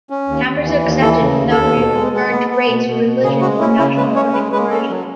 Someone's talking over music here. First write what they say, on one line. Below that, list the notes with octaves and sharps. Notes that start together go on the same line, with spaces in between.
Campers are accepted without regard to race, religion, or national origin.
C#4
D#2
D#2
E3
D#2
E3 A4
C#3
D#2
A4
D#2
B2
G#3
G#3
B3
B3
B2
B2
B2
C#3 G#4
G#3 F#4
C#4 E4
C#3 E4
G#3 B4
C#4 C#5
G#3 B4
G#3 B4
C#4 A4
F#3